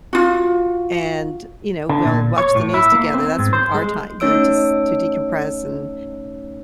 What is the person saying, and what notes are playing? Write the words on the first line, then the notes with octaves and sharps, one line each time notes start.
And, you know, we'll watch the news together. That's when our time, you know, just to decompress and
F4 F#4
D3
A#2
C#5
A2
E4
A#3
C4
G#2
C5
G#3
A3 C#4 D#4 C#5 E6 D7